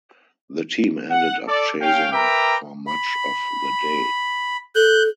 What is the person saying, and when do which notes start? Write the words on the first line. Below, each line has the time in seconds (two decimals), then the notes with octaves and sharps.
The team ended up chasing for much of the day.
1.11 F#5
1.48 A4 D5
1.82 C#4 F5 G5
2.12 A#4 B4 E5 G5 A#5 D6
2.87 B5
4.75 A4 F#6 G6